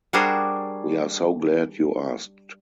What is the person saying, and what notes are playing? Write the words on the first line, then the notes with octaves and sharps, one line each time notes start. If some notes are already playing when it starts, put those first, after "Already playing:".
We are so glad you asked!
G3 D4 F#4 G#4 A#4 C5